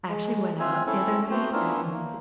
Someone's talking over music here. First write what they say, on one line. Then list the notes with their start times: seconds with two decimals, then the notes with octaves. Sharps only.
actually went out the other night, and
0.09 G#3
0.60 C4 F4 E5 G#5
0.87 C4 C#4 E4 A4 E5
1.31 A3 B3 C4 F#4 C5 G5
1.53 B3 C#4 D4 E4 F4 A#4
1.93 A#3